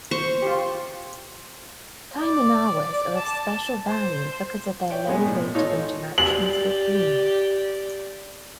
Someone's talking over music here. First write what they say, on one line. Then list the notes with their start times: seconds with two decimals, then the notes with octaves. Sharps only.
Kaimanawas are of special value because of their low rate of interaction with humans.
0.11 C5 C#6
0.42 F4 G4
2.20 D5
3.18 A5
3.87 C5
4.90 C#5 D5 E5 G5
5.07 B2 G#3 A#3 B3
5.26 A2
5.55 D#4 F4 A4 C#5
6.18 G4 D5 F#7